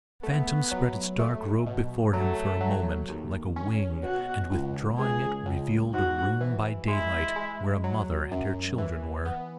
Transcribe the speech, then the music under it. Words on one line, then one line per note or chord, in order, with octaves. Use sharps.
The Phantom spread its dark robe before him for a moment, like a wing; and withdrawing it, revealed a room by daylight, where a mother and her children were.
A3 B3
F#3
A3
B2
F#3 A3
F#3
D#2
C#4
B2 F#4
C#2
C#2 G#4
C#2
G#2 F#4
E3
G#3 E4
G#3
F#3
F#2
E3
B3